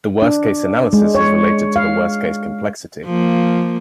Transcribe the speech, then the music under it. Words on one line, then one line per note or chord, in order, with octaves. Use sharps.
The worst-case analysis is related to the worst-case complexity.
D4
G#3
C#5
F5
F3 A#3